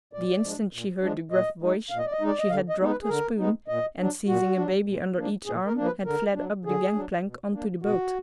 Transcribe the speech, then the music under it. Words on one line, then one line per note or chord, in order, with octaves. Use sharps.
The instant she heard the gruff voice she had dropped her spoon, and, seizing a baby under each arm, had fled up the gangplank on to the boat.
A#2 D5
F3 G#3 D4
A#2
F3 G#3 D4
A#2 D#5
G#3 D#4
A#2 F5
D#5
D5
D#5
G#3 D#4
D5
D#5
D3 F5
D#5
G#3 B3 D#4
B4
G#4
D3 A#4
G#3 B3 D#4
A#2 D#5
F#3 D4
A#2 F#4
F#3 D4
A#2
F3 A#3 D4
A#2 G#4
A#4
F3 A#3 D4
B4
D3 A#4
F#3 D4
D3 G#4
F#3 D4
B2
A#3 D4
B2 F#4